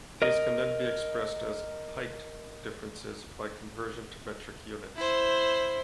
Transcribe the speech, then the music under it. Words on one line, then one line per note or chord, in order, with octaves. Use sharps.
These can then be expressed as "height" differences by conversion to metric units.
A#4 D#5
E4 C5